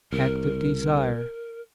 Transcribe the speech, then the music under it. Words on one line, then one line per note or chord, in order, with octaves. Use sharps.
Act of Desire.
C2 A#4